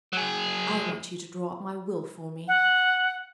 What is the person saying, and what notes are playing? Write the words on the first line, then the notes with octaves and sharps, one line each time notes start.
"I want you to draw up my will for me."
F#3 G#4
F#5